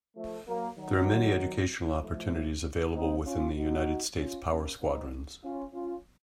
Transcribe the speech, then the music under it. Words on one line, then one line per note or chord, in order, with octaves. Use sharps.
There are many educational opportunities available within the United States Power Squadrons.
F3 A3
F#3 A#3
D#3 F#3
F3 A3
C4 D#4
C#4 F4
D#4 F#4
C#4 F4
A#3 C#4
C4 D#4
C#4 F4
C#4 F4